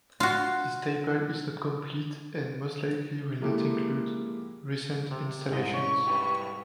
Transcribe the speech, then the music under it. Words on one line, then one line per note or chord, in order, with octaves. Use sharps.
This table is not complete and most likely will not include recent installations.
F4 F#4
F3 G#3 A#3 E4 G4 A4
C3
C2 G#2 D#5
C#4 C#6
B1 G4 B4